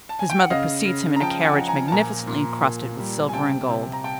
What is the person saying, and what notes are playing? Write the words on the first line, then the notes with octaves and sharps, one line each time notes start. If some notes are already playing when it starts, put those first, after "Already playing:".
His mother precedes him in a carriage magnificently encrusted with silver and gold.
A5
G#5
G5
F#5
C#3 D#5 F5
C#3
A#5
F3 G5 A5
F#5 G#5
F3
G#5 A#5
A5
A#2 G#5 A#5
A#2
A#2
G3
G#5
C3 G5 A5
C3
A#5
G5 A5